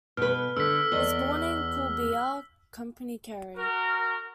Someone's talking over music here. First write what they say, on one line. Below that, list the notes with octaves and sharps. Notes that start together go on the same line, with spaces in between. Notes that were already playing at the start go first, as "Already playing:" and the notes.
Was born in Coolbeha, Company Kerry.
B2 B4 F6
D3 E6 B6
E2 D#5 G7
F#4 A#4